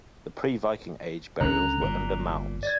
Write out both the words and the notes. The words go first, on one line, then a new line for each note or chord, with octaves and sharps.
The pre-Viking Age burials were under mounds.
C#2 D3 C#4 A#5 F#6
G1 A#2
D5 G#6